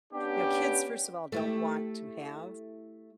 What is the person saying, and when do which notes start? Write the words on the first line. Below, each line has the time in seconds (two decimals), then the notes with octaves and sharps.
You know, kids, first of all, don't want to have
0.13 B3 C#4 D4 G4
1.32 A3 E4 G4